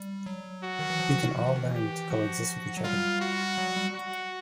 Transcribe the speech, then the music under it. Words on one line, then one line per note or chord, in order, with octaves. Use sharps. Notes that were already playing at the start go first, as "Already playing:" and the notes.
We can all learn to coexist with each other.
Already playing: G3
F#3
F#4
D#3
E3
F3
D#3
F3
E3
D#3
E3
G4
F3 F#4
F#3
G3 F4
F#4
F#3
G3
F#4